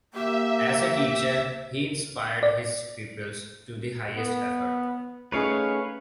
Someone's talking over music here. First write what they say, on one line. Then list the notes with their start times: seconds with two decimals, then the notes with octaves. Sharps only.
As a teacher he inspired his pupils to the highest effort.
0.14 A#3 G4 E5
2.43 D5
4.17 B3
5.32 A3 C#4 D#4 G#4 B4 C#5 F5